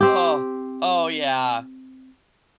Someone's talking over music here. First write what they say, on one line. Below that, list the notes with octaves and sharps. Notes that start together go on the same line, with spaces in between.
Oh! Oh, yeah.
C4 G4